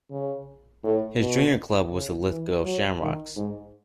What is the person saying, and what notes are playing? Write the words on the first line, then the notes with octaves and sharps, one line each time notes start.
His junior club was the Lithgow Shamrocks.
C#3
A2
B2
C#3
E3
F#3
D#3
G#2